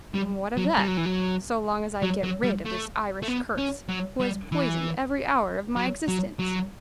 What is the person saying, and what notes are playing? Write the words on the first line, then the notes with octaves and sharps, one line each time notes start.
What of that, so long as I get rid of this Irish curse, who has poisoned every hour of my existence!
G3
F#3
G3
F#3
E3
F#3
F#3
F#3
G3
A3
A3
B3
C#4
F#3
G3
E3
F#3
F#3
F#3